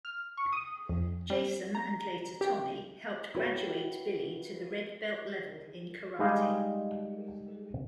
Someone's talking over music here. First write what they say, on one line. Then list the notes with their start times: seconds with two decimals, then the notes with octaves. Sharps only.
Jason and later Tommy helped graduate Billy to the red belt level in karate.
0.05 F6
0.37 C#6
0.52 D#6
0.89 F2
1.30 G3
1.75 A#5
2.41 G4
3.34 E4 F#4 B4 C#5 G5
6.19 G3 G#3 D#4 G#4 D#5 F5